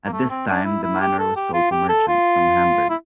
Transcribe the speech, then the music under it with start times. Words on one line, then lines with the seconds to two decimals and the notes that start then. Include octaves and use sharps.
At this time the manor was sold to merchants from Hamburg.
0.06 A#3
0.13 A3
0.30 C4
0.48 D4
0.65 E4
0.83 E4
1.01 G4
1.19 A4
1.36 G4
1.54 F4
1.71 G4
1.89 A4
2.08 F4
2.90 E4